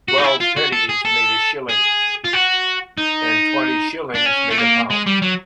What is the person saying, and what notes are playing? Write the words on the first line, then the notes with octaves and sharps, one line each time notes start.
Twelve pennies made a shilling, and twenty shillings made a pound.
F#4
D#4
E4
F4
F#4
A4
G#4
A4
G#4
F4
F#4
D#4
D4
C#4
A3
A#3
G#3
G3
F#3